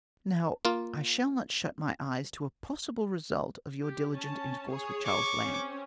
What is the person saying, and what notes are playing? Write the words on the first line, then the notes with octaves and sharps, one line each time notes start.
Now, I shall not shut my eyes to a possible result of your diligent intercourse with Charles Lamb.
A#3 F4
G4
C#4 A5
G#4 C#5
C#6 D6
C4 C#4